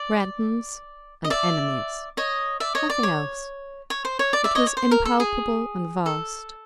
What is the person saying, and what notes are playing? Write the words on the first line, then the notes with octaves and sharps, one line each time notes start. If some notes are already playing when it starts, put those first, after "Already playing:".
"Friends and enemies"--nothing else. It was impalpable and vast.
Already playing: D5
D#5
D5 E5
C#5 D#5
D5 E5
C#5 D#5
D5
C#5
C#5
C5
C#5
D5
D5 E5
C#5 D#5
C#5
C5
A#4
A4
G#4
A4